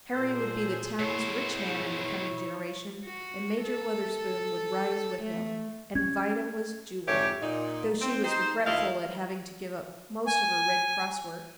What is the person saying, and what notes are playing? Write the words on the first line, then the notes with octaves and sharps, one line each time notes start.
Harry would be the town's rich man in the coming generation, and Major Wutherspoon would rise with him, and Vida was jubilant, though she was regretful at having to give up most of her Red Cross work.
A#2 G#4 A4 C5
B2 E4 C5 C#5
F#4
A4
A3
C#4 G#6
F2 G#2 E4 G4 C#5
A#2 D#4
C4
D#4 C5
D#2 F3 A3 E4 D#5 F5
G#5